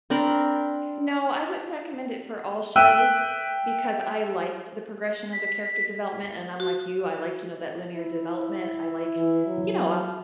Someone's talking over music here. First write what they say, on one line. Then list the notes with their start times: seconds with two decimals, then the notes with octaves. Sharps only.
No, I wouldn't recommend it for all shows because I like the progression of the character development, and I'm like you, I like, you know, that linear development, I like, you know,
0.10 C4 D4 A#4 B5
2.76 E5 G5 E6 F#6 D#7
5.32 B6
6.60 F#4
7.94 E4
9.16 E3
9.47 F#3